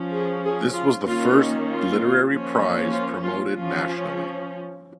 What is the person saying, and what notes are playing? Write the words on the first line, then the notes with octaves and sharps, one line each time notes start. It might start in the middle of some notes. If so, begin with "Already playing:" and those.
This was the first literary prize promoted nationally.
Already playing: F3 C#4
G#4
G#4
F4
D#3 A#3 C#4 F4
F4
F3 A#3 C#4
F4
F4
F3 C#4 F4